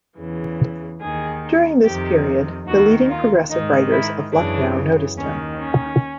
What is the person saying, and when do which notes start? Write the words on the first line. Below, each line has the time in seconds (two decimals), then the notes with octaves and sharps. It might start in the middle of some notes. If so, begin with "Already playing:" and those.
During this period, the leading progressive writers of Lucknow noticed him.
0.17 E2 C#3 E3
1.01 D#2 D#3 G#4
1.84 F2 C3 D#3 G4
2.67 D#2 D#3 F#4
3.10 F4
3.51 G#2 D#3 D#4
3.92 E4
4.34 F#2 C#3 E3 D4
5.17 D#2 D#3 C#4
5.59 C#4